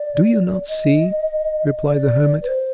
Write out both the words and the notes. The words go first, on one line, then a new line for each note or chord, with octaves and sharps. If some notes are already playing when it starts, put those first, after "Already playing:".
"Do you not see," replied the hermit.
Already playing: D5
D#5
D5
B4
C5